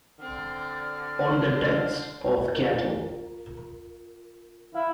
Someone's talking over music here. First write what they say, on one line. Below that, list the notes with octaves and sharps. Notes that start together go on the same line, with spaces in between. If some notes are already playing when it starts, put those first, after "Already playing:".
On the Deaths of Cattle.
D3 C4 D5 F6
C5
F4 A#4
E4 F5